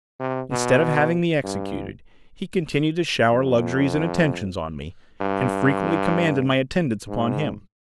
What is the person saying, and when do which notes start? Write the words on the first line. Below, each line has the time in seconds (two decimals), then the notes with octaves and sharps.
Instead of having me executed, he continued to shower luxuries and attentions on me, and frequently commanded my attendance upon him.
0.20 C3
0.51 B2
1.44 G2
3.32 F2
5.21 G2
7.08 G#2